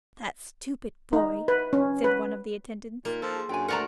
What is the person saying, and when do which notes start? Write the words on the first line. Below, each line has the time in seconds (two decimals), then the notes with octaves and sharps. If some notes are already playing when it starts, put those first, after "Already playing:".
"That stupid boy," said one of the attendants.
1.13 D#4
1.48 B4
1.73 C#4
2.04 B4
3.05 A#2 A#3 D#4 F4
3.22 F3 A4
3.36 G#4 C6
3.49 F#2 D4 F#4 G5 G#5 C6
3.68 D2 A3 A4 A#4 D5 F#5 A#5